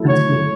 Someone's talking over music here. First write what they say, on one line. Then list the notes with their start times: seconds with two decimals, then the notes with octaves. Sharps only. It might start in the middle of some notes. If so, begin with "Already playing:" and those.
That's neat.
Already playing: F#3 A3 E4
0.08 C#5